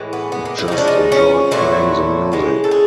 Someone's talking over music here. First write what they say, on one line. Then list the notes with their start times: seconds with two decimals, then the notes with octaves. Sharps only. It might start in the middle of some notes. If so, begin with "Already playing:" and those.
He just enjoyed playing the music.
Already playing: A2 E3 G#3
0.13 B3
0.32 B3
0.45 A#3
0.58 E4
0.68 C#3 F3 G#3 D#4
0.78 D4
0.88 D#4
1.12 C#4
1.51 A#2 F#3 A3 E4
2.32 C#3 E3 G#3
2.64 A4
2.71 G#4